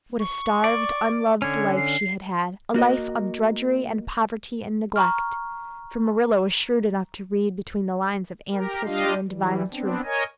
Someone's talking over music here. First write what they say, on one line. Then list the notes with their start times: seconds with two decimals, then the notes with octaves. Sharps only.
What a starved, unloved life she had had--a life of drudgery and poverty and neglect; for Marilla was shrewd enough to read between the lines of Anne's history and divine the truth.
0.20 C#6
0.64 D5
1.19 D6
1.42 D3 C#4 G#6
1.77 C7
2.74 A#3 F#4 A#4 D#5
4.96 A#5 C#6 F6
8.52 G4 A#4
8.85 G3 D4 F4 G4 D#5 F5
9.28 E3 G3
9.71 B3 C4 D4
10.04 A#4 C#5 D#5 G#5